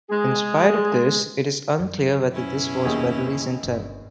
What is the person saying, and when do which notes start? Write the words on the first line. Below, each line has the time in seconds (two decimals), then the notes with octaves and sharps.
In spite of this, it is unclear whether this was Weatherly's intent.
0.10 G#3 G#4
1.79 F#2
2.32 B2 C#4 E4
2.85 D#2 G#4
3.63 G1